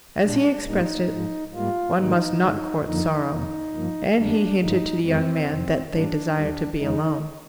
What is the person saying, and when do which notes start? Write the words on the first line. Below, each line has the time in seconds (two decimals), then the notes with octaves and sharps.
As he expressed it, "one must not court sorrow," and he hinted to the young man that they desired to be alone.
0.22 A#2 G#3 D4
0.65 G#2 G3 A#3 D#4
1.10 G#2 F3 G#3
1.53 G#2 G3 A#3 F4
1.97 G#2 D#3 G3 A#3 D#4
2.40 G2 D3 G#3
2.84 F2 D3 F3 A#3 D#4
3.28 F2 C3 D#3 A#3
3.71 G2 F3 A#3
4.15 F2 D3 G3 A#3 D4
4.59 G2 D3 F3 D#4
5.03 F2 D#3 G#3 C4
5.47 F2 C3 D#3
5.91 G#2 G3 A#3 D4
6.35 D#2 D#3 G3
6.78 F2 D#3 G#3 D#4